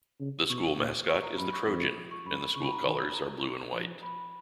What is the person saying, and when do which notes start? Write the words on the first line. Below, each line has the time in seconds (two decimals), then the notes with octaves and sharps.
The school mascot is the Trojan; and the school colors are blue and white.
0.20 C#3
0.50 B2 C#6
0.79 A#2
1.08 C#6
1.23 A#5
1.37 F#2 B5
1.53 C#6
1.67 F2
2.11 C#6
2.26 F#2 B5
2.55 C#3 C#6
2.64 B5
2.72 A#5
2.81 D#3 B5
3.14 A#5
3.73 F3
4.03 B5